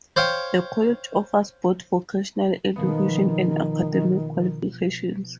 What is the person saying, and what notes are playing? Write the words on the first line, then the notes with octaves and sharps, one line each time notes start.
The college offers both vocational education and academic qualifications.
C5 C#5 F5 G5
B2 D#3 F3 B3